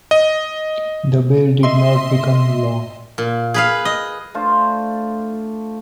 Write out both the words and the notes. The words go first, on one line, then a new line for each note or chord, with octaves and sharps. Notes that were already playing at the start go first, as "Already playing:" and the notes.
The bill did not become law.
D#5
D#5 E5 C6
A#2
G#4 B4 F5
D#5
A3 D4 F4 C5